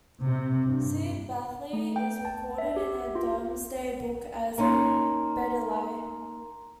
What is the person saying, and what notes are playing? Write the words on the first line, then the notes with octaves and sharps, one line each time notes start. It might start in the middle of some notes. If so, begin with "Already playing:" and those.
C Bathley is recorded in the Domesday Book as Badeleie.
C3
G2
A3
G5
A5
E5
G4
F4
A#3 C#4 D#4 A#5 C6